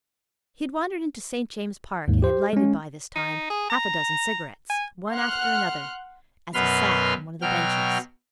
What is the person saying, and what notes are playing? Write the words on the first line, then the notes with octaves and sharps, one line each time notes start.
He had wandered into St. James's Park, and had lighted by this time half-a-dozen cigarettes one after another, as he sat on one of the benches.
D#2 G#2
G4 C5
G#3 C#4
D#4
G#4
A#5
G#5
F#5 C6 F6 F#6
F#2 B2 B4 B5 C6 F6
B2 F#3 G5 F6